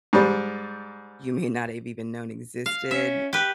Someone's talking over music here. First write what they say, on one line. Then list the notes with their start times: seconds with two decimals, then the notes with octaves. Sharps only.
you may not have even known existed
0.13 G#2 G3
2.66 F5
2.91 C#4 E5
3.33 G4 B4